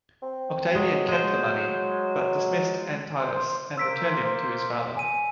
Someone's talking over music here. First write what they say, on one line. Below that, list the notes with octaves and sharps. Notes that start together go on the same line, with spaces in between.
Octavian kept the money, but dismissed Antyllus and returned him to his father.
C4
F#3 G#3
G#3 C5
C5
A#3 C5 E6 B6 D7
G#5 D#7